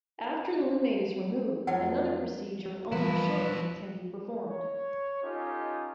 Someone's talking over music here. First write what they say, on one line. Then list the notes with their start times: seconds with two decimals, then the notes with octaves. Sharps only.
After the lunate is removed, another procedure, "ulnar shortening" can be performed.
1.67 F2 F#3 A4 C#5 F#5
2.92 E3 F3 G3 E4 F#4 B4
4.47 C#5
5.23 C#4 D#4 F4 G4 A4 D#5